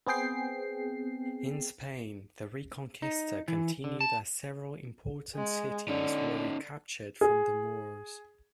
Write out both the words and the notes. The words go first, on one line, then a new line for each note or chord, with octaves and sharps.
In Spain, the Reconquista continued as several important cities were recaptured from the Moors.
B3 C4 G#4 G5 C7
D#4
E3
D3
A5
G#3
D3 C#4 D#4
G#4